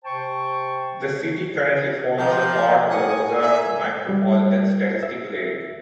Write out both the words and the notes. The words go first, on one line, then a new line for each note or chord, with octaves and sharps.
The city currently forms a part of the Ozark micropolitan statistical area.
C3 C5 G5 A5 C#6
F3 G4 A#4 G6
A2 D#5 F#5 G#5
E5 A#5
G3
E5